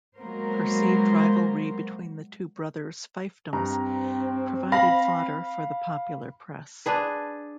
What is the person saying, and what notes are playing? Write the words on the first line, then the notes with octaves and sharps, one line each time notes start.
Perceived rivalry between the two brothers' fiefdoms provided fodder for the popular press.
F#3 G#3 A#3 B3 A#4 C5
G2 C4 A#5
F5 B5 A#6
D4 G#4 B4